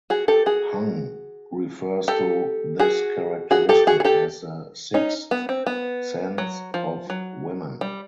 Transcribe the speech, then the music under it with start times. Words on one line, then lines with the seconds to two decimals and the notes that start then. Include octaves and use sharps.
Hung refers to this characteristic as the "Sixth Sense" of women.
0.10 F#4 G#4
0.28 G4 A4
0.46 F#4 G#4
2.08 G4 A4
2.79 F#4 G#4
3.51 F#4 G#4
3.69 G4 A4
3.87 F#4 G#4
4.00 G#4
4.04 G4 A4
4.94 C#4 D#4
5.31 B3
5.49 C4
5.66 B3
6.38 F#3
6.74 F3
7.10 F#3
7.81 G3